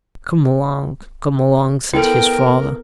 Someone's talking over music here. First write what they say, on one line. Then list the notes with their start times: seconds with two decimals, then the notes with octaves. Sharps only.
"Come along, come along!" said his father.
1.94 B3 E4 A4 A#4 G5